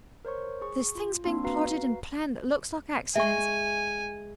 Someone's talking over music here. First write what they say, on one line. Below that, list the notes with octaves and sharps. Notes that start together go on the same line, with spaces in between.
There's things being plotted and planned that looks like accidents.
A#4 C5 C#5 C#6
G#4 C#6
F4
A#3 C4 D4 C6
F#4 B4 F5 A#5 C7
G#3 E5 G#5 C#6